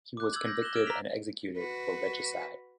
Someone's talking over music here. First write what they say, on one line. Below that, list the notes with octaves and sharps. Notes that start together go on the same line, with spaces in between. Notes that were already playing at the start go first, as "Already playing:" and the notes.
He was convicted and executed for regicide.
D6 F#6
E6 G6 G#6 F#7
G6 A#6
F#6 E7 F#7 G7
E6 F6 G#6 D7 E7
A#5 F6 B6 F7
F#4 B4